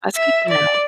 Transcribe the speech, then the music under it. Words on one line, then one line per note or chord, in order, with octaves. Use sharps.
that's good to know.
E5
D5